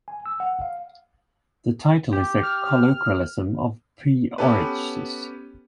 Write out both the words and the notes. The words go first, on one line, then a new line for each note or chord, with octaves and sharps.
The title is a colloquialism of P-Orridge's.
G#5
E6
F#5
F5
G4
F6
B3 C#4 G4 A4 B4